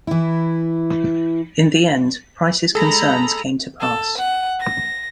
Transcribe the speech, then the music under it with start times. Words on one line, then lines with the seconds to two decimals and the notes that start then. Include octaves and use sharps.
In the end, Price's concerns came to pass.
0.07 E3 E4
2.75 G#3 G#4 A4 A#5 B5
3.80 A4
4.17 F#5
4.58 A#6